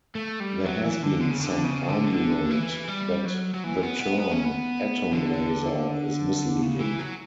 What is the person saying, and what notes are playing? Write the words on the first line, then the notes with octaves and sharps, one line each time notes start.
There has been some argument that the term "atom laser" is misleading.
A3
G3
F#3
E3
D3
D3
C#3
D3
C#3
D3
D3
E3
G3
F#3
F#3
E3
B3
B3
B3
C#4
B3
D3
C#3
E3
F#3